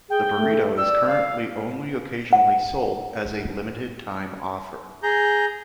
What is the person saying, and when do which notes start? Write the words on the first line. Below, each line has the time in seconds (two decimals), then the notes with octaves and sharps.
The burrito is currently only occasionally sold, as a "limited time offer".
0.10 G#4 G5
0.37 A3
0.77 D5 E6
1.07 F5
2.33 F#5
5.03 G#4 A#5 G6